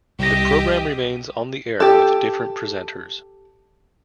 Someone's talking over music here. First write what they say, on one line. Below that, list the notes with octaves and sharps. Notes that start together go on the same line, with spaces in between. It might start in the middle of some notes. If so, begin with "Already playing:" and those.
The programme remains on the air with different presenters.
C2 G4 D#5 E5 A#6
G4 A4